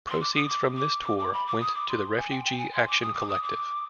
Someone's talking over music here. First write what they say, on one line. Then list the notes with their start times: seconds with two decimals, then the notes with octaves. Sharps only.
Proceeds from this tour went to the Refugee Action Collective.
0.09 C6
0.20 D6
0.35 D#6
0.48 D6
0.77 D6
1.04 D6
1.18 D6
1.33 B5
1.46 D6
1.60 D#6
1.74 D6
1.88 C6
2.17 G#5
2.30 G5
2.45 G5
2.58 G#5
2.72 C6
2.87 D6
3.01 D#6
3.14 D6
3.29 D#6
3.43 D6